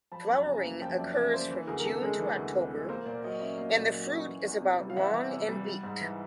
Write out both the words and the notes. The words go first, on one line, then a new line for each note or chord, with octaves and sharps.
Flowering occurs from June to October and the fruit is about long and beaked.
F3 A5 B5
F#2
C#3 G#5 A#5
A#3
F3 G5 A5
F#2 D5 E5
C#3 D5 E5
A#3 C5 D5
E3
D2 G#4 A#4
A#4
C3 A4
G#3 G#4 A#4
E3
D2
C3
G#3
A#3 A#4 C5
A#2 C5 D5
F#3 C#5 D#5
C#4 D5 E5
A#3 D#5 F5
A#2
F#3
C#4
E3
E2
C3
G3
F5
E3 E5 F#5
E2
C3
G3
G3
G#2
E3